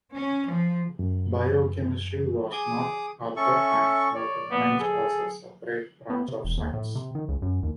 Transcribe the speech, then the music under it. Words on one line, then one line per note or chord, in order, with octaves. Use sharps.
Biochemistry was not, at that time, recognised as a separate branch of science.
C#4
F3
F#2
G#4 D6 D#6
C#4 A4 E5 C#6
C#5 D5
B3
G#4 A4
B3
C3
E1
D#2
A2
C3
D#3
C#2
F#2
D#2